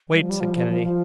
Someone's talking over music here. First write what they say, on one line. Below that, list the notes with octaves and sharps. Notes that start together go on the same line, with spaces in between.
"Wait!" said Kennedy.
G3
F3
G3
F3
F3
F3
F3